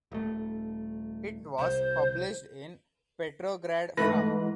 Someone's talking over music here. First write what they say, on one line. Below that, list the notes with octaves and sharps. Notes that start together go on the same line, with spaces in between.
It was published in Petrograd from.
D#1 A3
C2 C5
G#2 E3 A3 B4 A#6